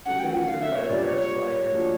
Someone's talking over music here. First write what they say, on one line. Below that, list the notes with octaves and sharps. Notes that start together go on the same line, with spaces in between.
The city is served by the Staroselye Airport.
F#3 A3 C#4 F#5
G5
F#5
F5
E5
C#5
A#2 G3 A#3 D4 D5
C#5
C#5
A#2 F3 A#3 D4 F#4